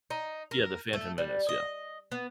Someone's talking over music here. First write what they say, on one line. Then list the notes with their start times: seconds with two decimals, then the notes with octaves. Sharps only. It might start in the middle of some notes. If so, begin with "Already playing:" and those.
Yeah, The Phantom Menace, yeah.
0.10 D#4
0.51 A#4
0.93 A3
1.18 G3
1.49 D#5
2.12 B3